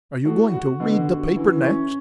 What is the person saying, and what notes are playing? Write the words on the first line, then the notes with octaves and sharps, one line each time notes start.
"Are you going to read the paper next?"
A2 F#4
F#4
B2 D3
F#4
E3 C#4
C#4